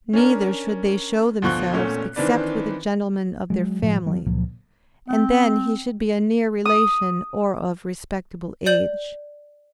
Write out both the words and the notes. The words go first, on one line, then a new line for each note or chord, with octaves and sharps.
Neither should they show themselves except with a gentleman of their family, and then he should be a near relation or of respectable age.
C#4 D4 A#4
D2 B2 F3 C#6 F#6 G7
E2 A#2 A3 C#4
D#3 E3 C4 D4 B4 D5
F#3 G#3
A2 F3
F3 F#3 A3
C#2 A#2 F3 F#3
C4
D#6
D5 G6 F#7